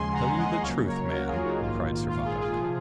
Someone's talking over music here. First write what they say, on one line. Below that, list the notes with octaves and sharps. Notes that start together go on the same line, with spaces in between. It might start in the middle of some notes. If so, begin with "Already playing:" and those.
"Tell you the truth, man!" cried Servadac.
Already playing: D#2 C#3 F3 G#3 G#5 C6
F#5 A#5
D#5 F#5
C#2 C#3 F#3 A#3 C#5 F5
A#4 C#5
F#4 A#4
F4 G#4
D#4 F#4
A#1 G#2 D#3 A#3 F4
F4
F4 G#4
F4 G#4
C3 F3